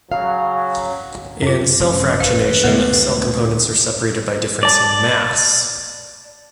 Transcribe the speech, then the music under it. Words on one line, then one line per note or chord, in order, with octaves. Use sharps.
In cell fractionation, cell components are separated by difference in mass.
C#3 F#3 F5
F#2 C#4 F4
F1
G#1 B4 F5
D2 G2 C3 G#3 A3 B3
D5 A5